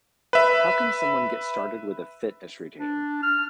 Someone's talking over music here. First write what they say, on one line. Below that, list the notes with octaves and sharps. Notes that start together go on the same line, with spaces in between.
How can someone get started with a fitness routine?
B4 E5
D4
F6